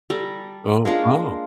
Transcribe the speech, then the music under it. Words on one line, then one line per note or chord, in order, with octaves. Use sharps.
Oh. Oh.
G3 A4 A#5
G#3 A#3 D4 F4